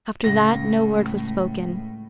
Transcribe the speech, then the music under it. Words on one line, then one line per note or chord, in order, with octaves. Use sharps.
After that no word was spoken.
C#2 A2 A#6